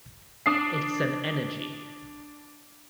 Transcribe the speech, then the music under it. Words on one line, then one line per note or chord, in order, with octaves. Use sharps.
It’s an energy!
D4 D#6 C7